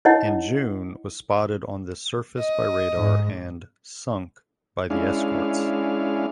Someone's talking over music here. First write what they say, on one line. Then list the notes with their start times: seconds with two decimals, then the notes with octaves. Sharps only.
In June was spotted on the surface by radar and sunk by the escorts.
0.05 D#4 E4 C#5 D#5 F#5
2.38 D#5
2.97 G#2
4.90 G#3 C#4 D4 E4 F5